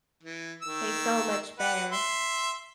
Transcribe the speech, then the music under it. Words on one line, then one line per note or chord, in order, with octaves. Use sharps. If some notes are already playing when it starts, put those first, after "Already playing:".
Tastes so much better.
E3
D#3 E6
G4 B4 F#5
E5 C6